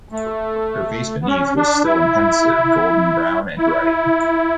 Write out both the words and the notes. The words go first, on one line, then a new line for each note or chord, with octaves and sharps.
Her face beneath was still and pensive, golden-brown and ruddy.
A3
B3
C#4
D4
E4
E4